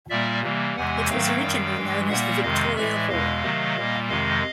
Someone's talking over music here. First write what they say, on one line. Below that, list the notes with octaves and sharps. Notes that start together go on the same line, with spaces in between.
It was originally known as the Victoria Hall.
A#2 G3 A#3 D5 E5
C3 E3 G3 A#3
E2 C3 E3 G#3 F#5 G#5
G#2 D#3 F#3 A3 F5 G5
F#2 D#3 G3
G2 E3 G#3
A#2 G3 A#3 E5 F#5
F2 C3 D#3 G#3 D#5 F5
A2 E3 G#3 D5 E5
E2 B2 G#3 D#5 F5
C3 D#3 F#3 A3
A#2 G3 A#3
F2 C3 D#3 G#3 D#5 F5